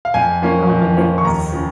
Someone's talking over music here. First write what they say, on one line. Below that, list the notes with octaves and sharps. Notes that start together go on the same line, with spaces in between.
Oh my goodness.
F5
F2 G#5
F3 A#3 C#4
F2
F3 A#3 C#4
C#6
D#2 A#5
C#3 F3